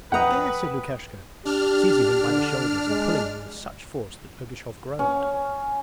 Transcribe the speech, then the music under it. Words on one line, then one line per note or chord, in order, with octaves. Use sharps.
Look there,' said Lukashka, seizing him by the shoulders and pulling him with such force that Ergushov groaned.
F2 B4 F#5 G5 A#5 D#6
D4 G4 F6
D3
G#3
C#4